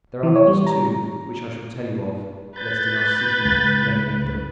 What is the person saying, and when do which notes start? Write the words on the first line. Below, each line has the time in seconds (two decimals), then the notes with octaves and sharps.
There are others, too, which I shall tell you of, lest in our seeking we may need them.
0.23 E3
0.36 C#5
0.47 G3
0.67 A#5
2.56 B4 G6 A6
3.45 C#2